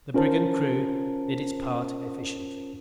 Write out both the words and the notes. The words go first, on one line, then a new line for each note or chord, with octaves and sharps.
The brigand crew did its part efficiently.
C#4 F4 A#4 C5 A5